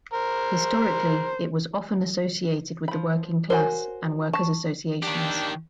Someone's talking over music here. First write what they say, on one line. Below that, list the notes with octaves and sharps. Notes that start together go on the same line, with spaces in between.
Historically, it was often associated with the working class and workers' associations.
A#4 C5
F3 B5
F#4 A#4 C5 C#5 G#5
A5 C#6
D#3 D4 G4